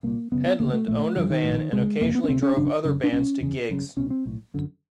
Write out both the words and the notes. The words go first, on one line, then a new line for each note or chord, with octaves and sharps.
Hedlund owned a van and occasionally drove other bands to gigs.
C2 A#2 A#3
F#1 F#2 C#3 B3
B3
D2 C#3 A#3
A3
A#1 A#2 A3
G1 G2 D3 F3
D#3
A#1 A2
C#2 C3 G#3
F#1 F2 C3 A#3
B3
C#4
D2 C3 C4
C#4
G#1 F#2 C#3 D4
F#1 F#2 C#3
D4
C2 B2 C#4
F1 E2 C#3
F#1 F#2 C#3
C2 B2 C#4
C4
B1 A2
G1 F#2 D3